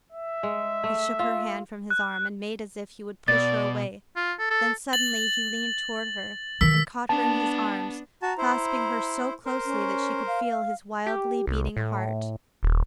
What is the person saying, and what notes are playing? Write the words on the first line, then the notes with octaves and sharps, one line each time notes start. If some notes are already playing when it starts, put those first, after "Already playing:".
He shook her hand from his arm and made as if he would push her away, then suddenly he leaned toward her and caught her in his arms, clasping her so closely that she could feel his wildly beating heart.
E5
G#3
A3
F4
F#6
B2 D5 A6
F4
A4
A4
A6 F#7
D#3 E3 E6 B6
B3 D4 A5
F#4 A5 A#5
E4 C5
A#4 C5
C#4
F5
G4
C2
A2
D#1